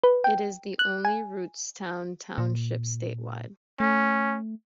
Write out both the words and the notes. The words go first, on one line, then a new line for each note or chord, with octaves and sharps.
It is the only Rootstown Township statewide.
B4
G5
F#6
G#5
A#2
A3 C#4